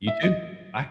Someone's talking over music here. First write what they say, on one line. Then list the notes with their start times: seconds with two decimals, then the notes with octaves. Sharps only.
you too, bye.
0.07 E5
0.23 D#5